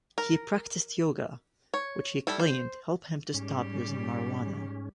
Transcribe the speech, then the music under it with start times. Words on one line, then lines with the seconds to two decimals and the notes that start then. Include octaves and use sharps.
He practiced yoga, which, he claimed, helped him to stop using marijuana.
0.18 A#4
1.74 C#5
2.27 G3 E4 A4
2.40 C5
3.34 G#2 G3 C#4 G4